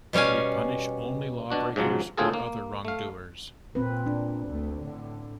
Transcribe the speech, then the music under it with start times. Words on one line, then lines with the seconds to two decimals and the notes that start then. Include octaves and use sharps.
Should we punish only lawbreakers, or other wrongdoers?
0.13 B2 G3 C#4 F5 G#5
1.50 B2 D4 F#4
1.76 G#2 C#3 F3 F#3
2.17 D2 A2 C4 F4 G#4 A4
2.34 A#3
2.85 A3 F5
3.75 A#2 C4 B4
4.06 D4
4.47 D2 A3
4.80 A2 D3